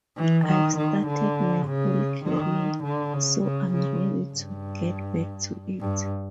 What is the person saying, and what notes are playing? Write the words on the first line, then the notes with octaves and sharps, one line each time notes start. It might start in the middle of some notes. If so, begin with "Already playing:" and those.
I've started my whole career so I'm ready to get back to it.
E3
D#3
D#3
D3
C#3
D#3
D3
C#3
C#3
C#3
G2
G2